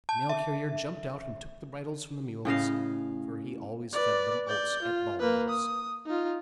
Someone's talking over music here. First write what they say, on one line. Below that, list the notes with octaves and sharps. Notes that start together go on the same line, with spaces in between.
The mail-carrier jumped out and took the bridles from the mules, for he always fed them oats at Ballinger's.
A5
E5
A2 C#3 D#5 F5
B4 D5
D5 G6
F4
A#3 B4
D#6
D#4 F4